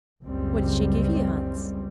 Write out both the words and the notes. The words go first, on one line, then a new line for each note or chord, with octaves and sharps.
'What did she give you, Hans?'
F#1 C#2 F#2 G3 C4